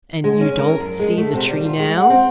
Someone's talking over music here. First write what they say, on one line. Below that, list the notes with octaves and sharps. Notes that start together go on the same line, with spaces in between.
"And you don't see the tree now?"
G#3
C#4
A#4
F#2
G#3
A3
C3
G3
F4
G#3
F#5
C4